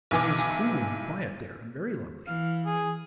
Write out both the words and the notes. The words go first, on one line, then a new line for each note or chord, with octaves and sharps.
It was cool and quiet there, and very lovely.
B1 E3 D6
E3 F5
G#4